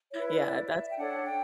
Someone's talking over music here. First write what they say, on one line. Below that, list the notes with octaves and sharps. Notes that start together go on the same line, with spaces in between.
yeah, that's
E4 B4 C#5
C#5
D5
E5
G5
D4 A4 C#5 F#5
G5